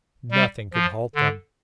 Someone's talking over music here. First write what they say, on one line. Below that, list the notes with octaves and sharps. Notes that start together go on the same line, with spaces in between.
Nothing could halt them.
G3
F3
D3